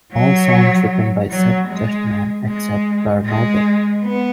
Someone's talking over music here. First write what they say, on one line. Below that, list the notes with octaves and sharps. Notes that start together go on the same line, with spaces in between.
All songs written by Seth Justman except where noted.
F#3
F#3
G#3
G#3
G#3
B3